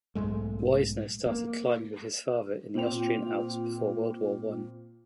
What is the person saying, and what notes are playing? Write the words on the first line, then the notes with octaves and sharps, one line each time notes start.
Wiessner started climbing with his father in the Austrian Alps before World War One.
B1 G#2 G#3 A3
A#3
A#2 C4 G5 F7